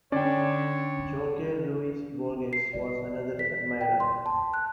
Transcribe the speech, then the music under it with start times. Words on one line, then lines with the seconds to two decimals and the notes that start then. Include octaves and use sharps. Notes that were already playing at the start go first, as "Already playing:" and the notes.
Jorge Luis Borges was another admirer.
0.12 D3 C#4 C#5 D5 G5
2.53 C7
2.73 D5
3.39 B6
3.81 G5
4.00 C6
4.26 A5
4.54 F#6